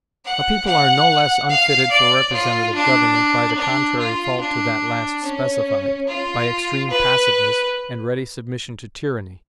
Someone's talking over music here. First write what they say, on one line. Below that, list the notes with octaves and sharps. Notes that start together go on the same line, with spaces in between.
A people are no less unfitted for representative government by the contrary fault to that last specified--by extreme passiveness, and ready submission to tyranny.
F#5
F#5
F5
D5
F4
D4
D4
F4
D4
C#4
F4
B4